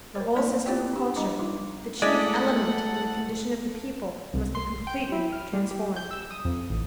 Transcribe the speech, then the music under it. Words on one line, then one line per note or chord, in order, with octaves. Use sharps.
The whole system of culture, the chief element in the condition of the people, must be completely transformed.
A#4 C5 C#5
A#3 D#4 B4 C5 D5 A5
C4 E4 F4 G4 D5 G5
D4 G4
G3 D4 D#5 A#5 D6
G3 D#4 F4
G#3 A3 E4 A4 D5 F#5 B6
C2
C6
G5
E4
F6
G3
G4
G6
E6
D#6
F2
A1